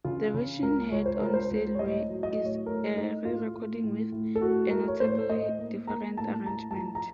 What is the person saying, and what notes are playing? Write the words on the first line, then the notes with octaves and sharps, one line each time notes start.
The version heard on "Sail Away" is a re-recording with a notably different arrangement.
C#3 F4
C#3
C#2 A#4
C#2 C#5
C5
C#2 A#4
C5
C#2
C#5
A2 D#5
F#3
D#5
A2
C#5
A3 A#4
A3 D#4
A2 F4
A3
A2
A2
A4
A3 F#4
A3 A#4
C#5
A2 C5
A2 D#5
A#3
A#3 A#5
A2 A5
A2 A#5
A5
F3 A#5
A#5